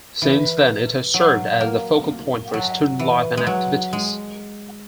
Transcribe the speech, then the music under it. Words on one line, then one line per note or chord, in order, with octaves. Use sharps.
Since then, it has served as the focal point for student life and activities.
E3
F#3
A#3
F#3
E3
G#3
F#3
G#3